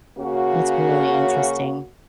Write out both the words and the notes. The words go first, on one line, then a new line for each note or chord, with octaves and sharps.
It's really interesting.
C#3 A#3 C#4 F#4